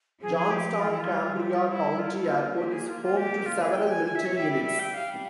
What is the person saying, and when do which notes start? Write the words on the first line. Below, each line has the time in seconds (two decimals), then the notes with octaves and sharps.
Johnstown-Cambria County Airport is home to several military units.
0.22 F3 G#4
0.36 G#4
0.51 G4
0.81 E3 F4
0.91 E4
1.00 F4
1.10 G3
1.39 G4
1.54 F4
1.69 E4
1.99 F4
2.14 E4
2.28 A#3 F4
2.58 A#3 G4
2.68 G4
2.73 G#4
2.87 F4
3.02 F4
3.17 G4
3.46 F4
3.61 G#4
3.70 G#5
3.76 G5
3.90 G#5
4.05 G#5
4.15 E5
4.25 C#5
4.35 G3 E5
4.50 E5
4.64 E5
4.79 G5
4.94 G3 F5